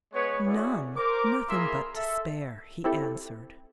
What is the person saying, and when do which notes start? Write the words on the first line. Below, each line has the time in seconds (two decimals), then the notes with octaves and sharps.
"None--nothing but despair!" he answered.
0.13 G#3 B3 B4 C#5
0.47 A3 C#4 E4 F#4 G#4 D5
0.96 A#4 C5 D6
1.49 A#3 E4 G#4 A#4 E5 C6
1.95 A4 E5
2.84 C4 E4 G4 A4